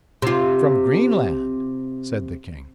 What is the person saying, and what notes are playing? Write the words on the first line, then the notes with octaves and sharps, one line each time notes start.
"From Greenland!" said the king.
C3 F4